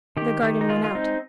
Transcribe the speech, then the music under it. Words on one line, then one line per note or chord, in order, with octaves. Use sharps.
The garden went out.
D#3 G4
D#3
D#4
G#3 F4
F4
C4 D#4